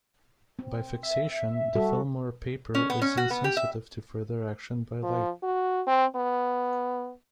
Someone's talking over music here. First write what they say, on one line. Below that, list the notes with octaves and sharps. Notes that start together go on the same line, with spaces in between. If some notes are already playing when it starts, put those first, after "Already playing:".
By fixation, the film or paper is insensitive to further action by light.
C4
E5
G3 F#4 A4
C#4
B3
C#4
F#4
B3
G4
E5
F3
F#4
C4
B3